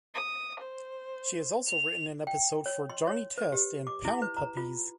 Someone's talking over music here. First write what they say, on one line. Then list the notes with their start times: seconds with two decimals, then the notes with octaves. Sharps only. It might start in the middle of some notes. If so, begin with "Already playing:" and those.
She has also written an episode for "Johnny Test" and "Pound Puppies".
0.15 D#6
0.60 C5
1.66 F7
2.27 G5
2.66 C#5
2.90 C6
3.07 C#5
3.38 B4
3.52 G4
3.87 D6
4.05 E4
4.22 B4
4.37 A#5
4.57 F4